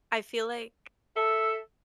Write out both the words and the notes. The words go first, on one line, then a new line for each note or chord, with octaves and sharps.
I feel like
A4 E5